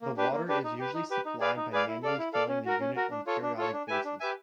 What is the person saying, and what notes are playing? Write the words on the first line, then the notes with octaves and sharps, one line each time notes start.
The water is usually supplied by manually filling the unit on a periodic basis.
A#3
D4 G4 B4
A#3
D4 G4 B4
D#4
G4 B4
D#4
G4 B4
D#4
G#4 B4 D5 F5
D#4
G#4 B4 D5 F5
E4
A4 D5 F5
E4
A4 D5 F5
C#4
F#4 A#4
C#4
F#4 A#4
D4
F4 A4 C#5
D4
F4 A4 C#5
D4
G4 B4 E5 G#5
D4
G4 B4 E5 G#5